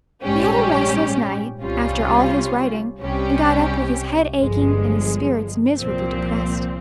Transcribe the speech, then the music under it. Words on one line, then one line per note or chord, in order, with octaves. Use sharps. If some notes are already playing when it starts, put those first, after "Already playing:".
He had a restless night, after all his writing, and got up with his head aching, and his spirits miserably depressed.
A#1 G#2 G3 C#4 G4
C2 C3 G3 C#4 F4
C2 C3 G3 C#4 G4
G1 G2 F3 G#3
C2 A#2 F3 C4